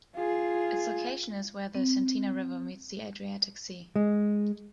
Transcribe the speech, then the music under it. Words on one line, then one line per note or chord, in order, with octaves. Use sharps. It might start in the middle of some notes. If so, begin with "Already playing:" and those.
Its location is where the Cetina River meets the Adriatic Sea.
F4 G#4
C4
G#3